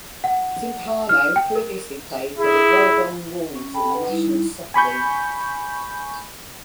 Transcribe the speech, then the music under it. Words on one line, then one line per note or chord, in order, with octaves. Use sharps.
Timpano previously played for the Wollongong Wolves in the National Soccer League.
F#5
F6
G5
A#4
E4 G#4
C#4
A4 G5 A5 B5
B4 F#5
G3 D#4 E4
G#5 B5 C#6 G6